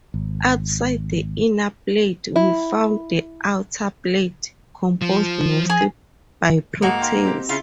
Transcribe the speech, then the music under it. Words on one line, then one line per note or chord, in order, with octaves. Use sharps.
Outside the inner plate we find the outer plate, composed mostly by proteins.
G#1
E4
F3
G#4
G#2 A#3 D#4 F#4 A4
F5 G5 C6
C4 G4
C#3 E4 F4